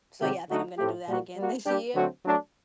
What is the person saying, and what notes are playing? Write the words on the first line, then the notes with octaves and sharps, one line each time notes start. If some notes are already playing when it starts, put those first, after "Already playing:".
So yeah, I think I'm gonna do that again this year,
C3 D#3 F#3 C4 G4
D3 A3 D#4 F#4
A2 A3 C4 G4
A#2 G3 A#3 F#4
G3 A#3 F#4
G3 D4 G4
D3 F#3 A3 C4 F#4
F#3 A3 D4